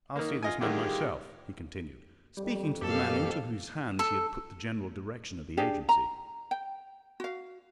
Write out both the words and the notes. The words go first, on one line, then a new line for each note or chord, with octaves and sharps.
"I'll see this man myself," he continued, speaking to the man into whose hands he had put the general direction of the agency.
D#3 A#3
F4 D#5 G#5
D3 D#3 G3 F4 G4 G#4
F2 G3
F#2 A#3 G4 A4 F5
A4
D4 G4 G#4 F5
A#5
G5
F#4 F5